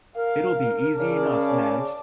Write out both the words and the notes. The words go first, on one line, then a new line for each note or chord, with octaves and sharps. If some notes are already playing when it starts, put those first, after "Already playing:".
It’ll be easy enough managed.
A#4 F5
C#3 D5 A5